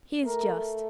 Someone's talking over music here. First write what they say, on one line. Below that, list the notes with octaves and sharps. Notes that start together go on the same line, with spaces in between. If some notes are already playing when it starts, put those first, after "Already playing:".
He is just.
A3 A#4